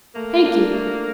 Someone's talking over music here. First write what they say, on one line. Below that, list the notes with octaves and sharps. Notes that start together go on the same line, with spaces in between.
Thank you.
A3 A#3
D4
A3